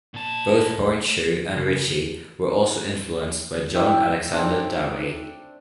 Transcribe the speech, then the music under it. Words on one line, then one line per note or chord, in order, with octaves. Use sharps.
Both Hornshuh and Richey were also influenced by John Alexander Dowie.
A#2 A5
C#3
E4 C#5 E5 G5
C4 D4 D#4 D5